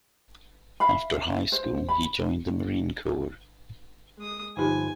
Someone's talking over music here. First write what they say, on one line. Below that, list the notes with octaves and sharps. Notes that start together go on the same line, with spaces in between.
After high school, he joined the Marine Corps.
E5 F5 B5
C5
B5
G#3 D#6
G1 F3 D#4 G4 B4 G#5